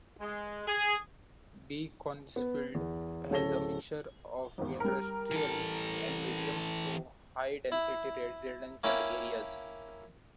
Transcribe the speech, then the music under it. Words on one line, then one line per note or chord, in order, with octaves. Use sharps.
Beaconsfield has a mixture of industrial and medium to high density residential areas.
G#3
G#4
B3
E2
D1 C#3 A4 C#5 A#6 G7
G#1 E2
G3 A#4
E3 A4
E4
A#3 C#4 E4 G5